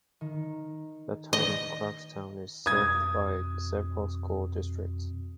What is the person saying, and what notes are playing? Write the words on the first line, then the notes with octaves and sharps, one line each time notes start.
The town of Clarkstown is served by several school districts.
D#3
D#5
F2 B2 D#6 G#6